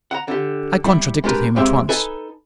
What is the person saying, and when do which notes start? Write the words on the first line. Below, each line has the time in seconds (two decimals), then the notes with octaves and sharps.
I contradicted him at once.
0.11 F#5 A#5
0.28 D3 G4
0.84 G3 E4
1.24 G#3 D4 G4 A#4 B4
1.56 F2 G#3 C4 G4 E5
1.89 D#4 A4 B4 G#5